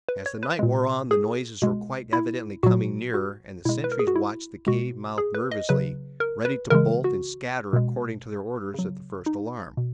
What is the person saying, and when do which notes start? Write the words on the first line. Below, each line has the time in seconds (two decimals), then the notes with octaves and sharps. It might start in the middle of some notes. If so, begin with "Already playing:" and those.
As the night wore on the noises were quite evidently coming nearer and the sentries watched the cave mouth nervously, ready to bolt and scatter according to their orders at the first alarm.
0.09 B4
0.26 C#5
0.43 B4
0.59 A#2 G#3
1.11 G#4
1.62 B2 G#3
2.13 E4
2.63 A#2 F#3 F#4
3.14 F#4
3.65 B2 G#3 E4
3.84 B4
3.92 A#4
3.99 G#4
4.07 F#4
4.16 E4
4.67 B2 G#3 F#4
5.18 G#4
5.34 B4
5.51 D#5
5.69 C#3 F#3 B4
6.20 A#4
6.45 B4
6.70 C#3 E3 G#3 A#4
7.04 F#4
7.73 B2 G#3
8.74 C#3 F#3
9.26 D#4
9.77 B2